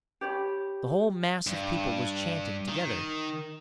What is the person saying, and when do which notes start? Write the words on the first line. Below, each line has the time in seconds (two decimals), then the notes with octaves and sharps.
The whole mass of people was chanting together.
0.21 G4 C#5 A#5 B5
1.47 G2
2.68 D#3